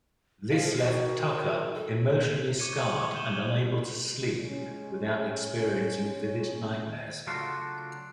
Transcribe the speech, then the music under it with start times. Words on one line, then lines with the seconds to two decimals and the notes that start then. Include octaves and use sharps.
This left Tucker emotionally scarred and unable to sleep without experiencing vivid nightmares.
0.51 F3 F5
0.77 D#3 F#4
1.74 A4
2.58 C#6 D6 G#6 C#7 D#7 G7
3.14 G6 E7 G7
4.40 G#3 C#4
7.27 C#3 F#3 A3 D4 F4 F#4